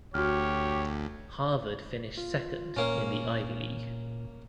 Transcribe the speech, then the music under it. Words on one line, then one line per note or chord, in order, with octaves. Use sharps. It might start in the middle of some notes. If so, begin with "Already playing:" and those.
Harvard finished second in the Ivy League.
D2 F#4 G4 C#5 F6
F4
A#2 A#3 C#4